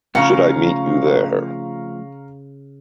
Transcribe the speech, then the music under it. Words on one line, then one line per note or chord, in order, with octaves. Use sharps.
Should I meet you there?
C#3 F3 A3 F5 F#5 A#5 C#6